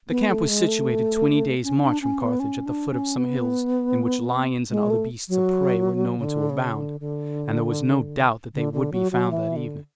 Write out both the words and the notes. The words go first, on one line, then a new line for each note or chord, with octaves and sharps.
The camp was situated twenty days' march from Carthage at the foot of some hills in which lions and other beasts of prey were known to abound, and there was no doubt that they would be found that evening.
B3
A3
G#3
A3
C#4
D4
C#4
B3
C#4
D4
C#4
B3
G#3
A3
F#3
C#3
D3
C#3
D3
D3
D3
D3
F#3
F#3
E3
D3